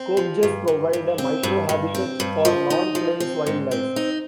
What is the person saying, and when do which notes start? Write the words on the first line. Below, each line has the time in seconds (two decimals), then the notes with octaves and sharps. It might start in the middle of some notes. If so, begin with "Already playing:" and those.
Kopjes provide a microhabitat for non-plains wildlife.
Already playing: C4
0.17 F3
0.43 G2
0.68 G2
0.93 G2
1.18 C4
1.43 G2
1.69 G2
1.95 C4
2.20 G2
2.45 F3
2.70 D#4
2.95 F3
3.20 C4
3.46 G#2
3.71 C4
3.96 D#4